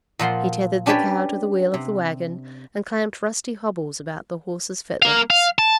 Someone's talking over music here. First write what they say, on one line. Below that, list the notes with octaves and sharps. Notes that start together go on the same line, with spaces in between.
He tethered the cow to the wheel of the wagon and clamped rusty hobbles about the horses' fetlocks.
A#2 F3 F#5 C6
C#4 D4 G4 B4 C#5 D5
C3
A#3 F5
F5
A5